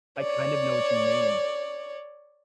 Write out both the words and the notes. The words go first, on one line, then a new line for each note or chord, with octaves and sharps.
I kind of know what you mean.
C#5 D5